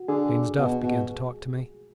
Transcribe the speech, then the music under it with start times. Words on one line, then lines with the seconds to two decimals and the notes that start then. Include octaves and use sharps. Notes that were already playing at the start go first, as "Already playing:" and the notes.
James Duff began to talk to me.
Already playing: F#4
0.08 D3 G#4
0.57 B2
0.83 B2